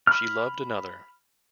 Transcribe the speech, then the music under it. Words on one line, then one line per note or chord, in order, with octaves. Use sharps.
She loved another.
B5 F6